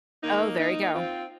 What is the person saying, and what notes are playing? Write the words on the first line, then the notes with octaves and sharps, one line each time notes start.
Oh, there you go.
A#3 D#4
A#3 D#4
C4 F4